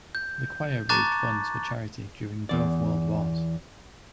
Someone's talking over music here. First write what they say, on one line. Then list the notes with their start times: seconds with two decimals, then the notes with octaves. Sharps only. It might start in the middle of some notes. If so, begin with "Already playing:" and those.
The choir raised funds for charity during both World Wars.
0.15 G6
0.89 A5 A#5 C#6 D6 F#6 A6
2.49 E2 D5